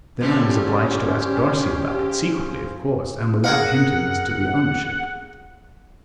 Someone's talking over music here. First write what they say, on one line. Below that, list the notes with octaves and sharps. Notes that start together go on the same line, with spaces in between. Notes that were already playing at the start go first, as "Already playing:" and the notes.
Then I was obliged to ask Darcy about it, secretly, of course, and without hinting as to the ownership.
D3 G3 A3 C#4 G4 G#4 C5 F5
G#4 A#4 F5 F#5